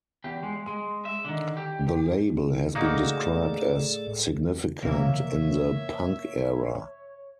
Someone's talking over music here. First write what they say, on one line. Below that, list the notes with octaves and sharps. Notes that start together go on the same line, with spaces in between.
The label has been described as "significant" in the "punk era".
E2 G4
G#3
G#3
E5
D3 D#3
G4
A2 A3 A#3 D#4 F#4 G#4 A4 D5
F2 C3 E3 A#3 C#5 E5